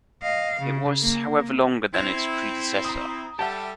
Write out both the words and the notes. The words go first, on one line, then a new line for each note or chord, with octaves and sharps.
It was, however longer than its predecessor.
D#5 F5
C#3
A#3
C4 E4 G#6 F7
A#5 D#6
G3 G4 A4 E5 F#5 A5